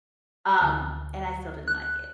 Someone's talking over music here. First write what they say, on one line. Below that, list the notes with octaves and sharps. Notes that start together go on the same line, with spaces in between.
Um, and I still didn't like it.
D2
F#6